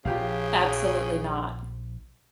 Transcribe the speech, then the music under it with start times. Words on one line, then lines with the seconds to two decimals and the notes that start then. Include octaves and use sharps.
Absolutely not.
0.05 A#1 C#3 F3 F4 G4 F5